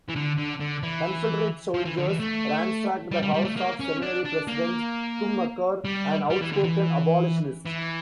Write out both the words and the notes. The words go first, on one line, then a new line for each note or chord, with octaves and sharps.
Confederate soldiers ransacked the house of seminary President Schmucker, an outspoken abolitionist.
E3
D3
D3
D3
E3
F3
E3
D3
E3
A3
G3
G3
G3
A3
A#3
C#4
D4
D4
A#3
G3
G3
E3
D3
E3
E3